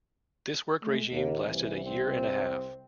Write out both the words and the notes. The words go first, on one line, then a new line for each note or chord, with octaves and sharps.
This work regime lasted a year and a half.
G#3 A3
D#2 A#3
C2 E3
C4